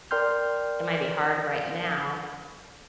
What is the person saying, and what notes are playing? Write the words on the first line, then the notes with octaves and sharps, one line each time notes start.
it might be hard right now,
A#4 D5 G5 C6 F6 G6